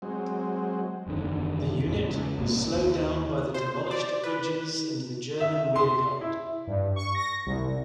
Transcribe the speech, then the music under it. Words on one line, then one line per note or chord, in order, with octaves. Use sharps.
The unit was slowed down by the demolished bridges and the German rear guard.
F#3 G#3 C4
F#1 E2 D3 D#3
E2 A2
C#3 G#3
A#1 F2 A2 A#3
D#2
C5
D5
B4
E5
C6
E4
G2
C#6
A#6
C2